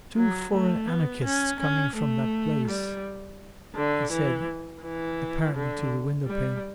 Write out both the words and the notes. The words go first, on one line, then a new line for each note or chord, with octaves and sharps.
"Two foreign anarchists coming from that place," he said, apparently to the window-pane.
F#3
A3
B3
C#4
C#4
A3
G3
D3
E3
E3
D3
G3